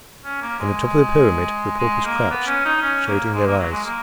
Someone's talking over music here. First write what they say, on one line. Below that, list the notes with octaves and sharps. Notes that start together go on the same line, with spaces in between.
On the top of the pyramid the paupers crouched, shading their eyes.
C#4
A#3
G#3
G#3
A#3
B3
C#4
D#4
C#4
A#3
G#3
A#3
F#3
G#3
A#3